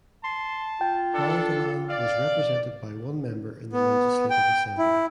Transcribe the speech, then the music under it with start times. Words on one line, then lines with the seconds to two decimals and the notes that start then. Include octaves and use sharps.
Haldimand was represented by one member in the Legislative Assembly.
0.24 A5 C6
0.81 F4 G5
1.14 D4 A4
1.89 D5 F5
3.73 B3
4.30 G5
4.78 E4